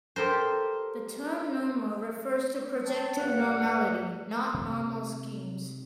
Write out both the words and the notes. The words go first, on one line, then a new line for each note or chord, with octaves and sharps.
The term "normal" refers to projective normality, not normal schemes.
G4 A4 A#4 C5
C#5 G5 A5
G2 F#5
C3 D#3 G#3